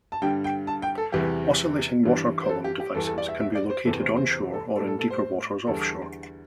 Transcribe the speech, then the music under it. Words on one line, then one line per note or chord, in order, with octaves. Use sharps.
Oscillating Water Column devices can be located on shore or in deeper waters offshore.
A5
G2 D3 G3 G5
G5
A5
G5
A4
E2 C3 E3 G3 G4
G2 E3 G3
C5
A4
G4
G4
E2 E3 G3 A4
A4
D5
E5
E5
D5
C5
E2 C3 E3 A4
C5
C5
C5
A4
A2 G3 A4
A4
A4
C5
E2 D3 G3 A4